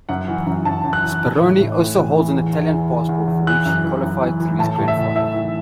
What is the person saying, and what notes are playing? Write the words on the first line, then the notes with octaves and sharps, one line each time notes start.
Speroni also holds an Italian passport, for which he qualified through his grandfather.
F#2 F#5
E3
F#2
F#2 A5
F#2
F#6
E3
E3
A2
A2
A2
E3
E3
E2
E2
E3
E3
E2
E2
E3 F#6
F#2
E3
F#2
E3
E3
A2 A5
A2
E5
A2
A2 E5
E3